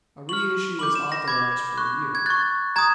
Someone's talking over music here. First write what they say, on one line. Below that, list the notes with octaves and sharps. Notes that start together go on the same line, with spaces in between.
A reissue was authorized for a year.
C#6 F6 F#7
B5 D6 G6 F#7
E7
A#6
B5 D6 G6 G#6
C#6 F#6
G#6
C#6 F#6 A6
A#5 D#6 G#6